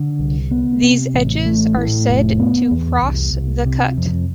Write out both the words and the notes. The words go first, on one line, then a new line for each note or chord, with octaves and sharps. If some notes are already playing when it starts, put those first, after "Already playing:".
These edges are said to cross the cut.
Already playing: D3
C2
B3
C3
A1
A3
A2
F1
B3
E2
C2
C2
C3
F2